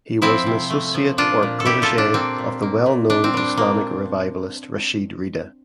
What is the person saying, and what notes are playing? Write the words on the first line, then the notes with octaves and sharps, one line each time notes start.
He was an "associate" or "protege" of the well known Islamic revivalist Rashid Rida.
F3 C4 E4
C3
A3
F3
A#2 D4 F4
A#2
A4
A#2 E4 G4
F4 A4
A#2
D4
A#3 C4
A#2
A#3
A#2
A#2 D4
C4
G3 D4
A#3